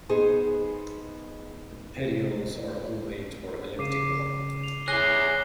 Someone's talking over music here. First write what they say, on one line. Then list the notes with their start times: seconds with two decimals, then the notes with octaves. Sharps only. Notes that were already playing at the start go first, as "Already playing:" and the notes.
The petioles are ovate or elleptical.
0.09 B3 D#4 G#4 C5
3.79 C#3 D6 C7 D#7
4.64 F7
4.88 E4 G#4 C#5 D6 F#6 A#6 C7 G7